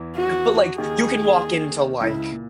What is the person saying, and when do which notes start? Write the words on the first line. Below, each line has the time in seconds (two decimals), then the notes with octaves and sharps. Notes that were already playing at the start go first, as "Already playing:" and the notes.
but, like, you can walk into like
Already playing: E2 E3
0.17 F#4
0.78 D#2 D#3 G#4
2.00 C#2 C#3 E4
2.32 A#2